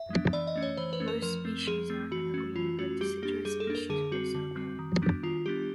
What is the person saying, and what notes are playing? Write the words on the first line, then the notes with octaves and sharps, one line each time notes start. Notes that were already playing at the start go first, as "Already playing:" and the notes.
Most species are evergreen, but deciduous species also occur.
Already playing: E5
G#3 B3 D4
E3 D5
D#5
A3 C#4
C#5
E3 C5
B4
A3 C#4
A#4
F3 A#4
A3 C4
F3 G#4
A3 C4
E3 F#4
A3 C#4
E3 F4
A3 C#4 F#4
G3 G4
A#3 D4 G4
G3 G#4
A4
A#3 D4
A#4
D3 G#4
G3 C4 F#4
D3
G3 C4
D#3
G3 B3 D4
D#3 F4
G3 B3 D4 G4